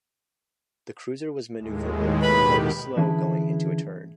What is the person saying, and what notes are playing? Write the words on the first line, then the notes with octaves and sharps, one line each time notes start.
The cruiser was maneuverable, but was slow going into a turn.
D#2 A2 G#3
B2 D#3 G4 B4 B5
D3 E3 C#4 E4 G#4 A5